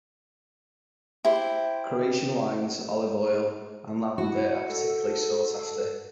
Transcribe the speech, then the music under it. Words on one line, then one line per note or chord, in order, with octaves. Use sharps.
Croatian wines, olive oil and lavender are particularly sought after.
E4 G4 C5
E4 F#4
A4